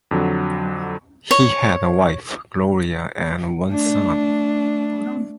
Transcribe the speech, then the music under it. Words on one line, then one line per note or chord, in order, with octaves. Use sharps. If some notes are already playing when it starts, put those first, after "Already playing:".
He had a wife, Gloria, and one son.
F2 D3 F#3
C#5
A3 D4